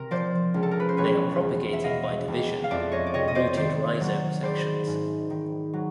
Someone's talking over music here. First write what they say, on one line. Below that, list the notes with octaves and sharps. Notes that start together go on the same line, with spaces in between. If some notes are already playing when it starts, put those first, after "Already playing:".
They are propagated by division or rooted rhizome sections.
Already playing: C3 A#4
F3 C5 D5
C#2
A4
A#4
B4
C5
E1 B4 C#5
E2
E5
B2 D#5 F5
E1
F5
F2 D5 E5
C#5 D#5
D5
C3 C#5 D#5
D#5
C5 D5
D#3 C5 D5
F#3
G#1 C5 D5
G#2
D#3
F#3